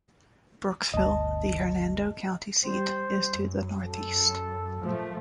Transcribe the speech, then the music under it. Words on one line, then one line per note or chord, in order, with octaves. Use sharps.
Brooksville, the Hernando County seat, is to the northeast.
G1 D2 D#5 A5
G3 C5
F#2
F#2 A4
A#2 F3 A3